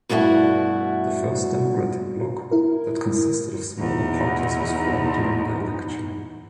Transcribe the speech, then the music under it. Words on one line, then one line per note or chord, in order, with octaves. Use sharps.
The first democratic bloc that consisted of smaller parties was formed during the election.
G2 B2 A3 E4 F#4
E4 A#4
E2 D#4